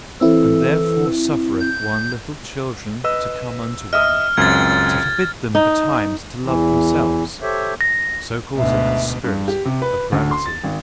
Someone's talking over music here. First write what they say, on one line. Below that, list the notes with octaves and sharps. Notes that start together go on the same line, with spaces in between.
And therefore suffereth one little children to come unto one, to forbid them betimes to love themselves--so causeth the spirit of gravity.
E3 C4 E4 A4
G6
B4 D#5 E6
D#5 E5 D#6 F6
C#2 F#2 C4 G#6 A6
D#4
E2 E3
G4 A4 C5 C#5 E5
A#6
D2 G#2 B2 E5
G2
G4
C3
B4
D2
C6
A6
G#1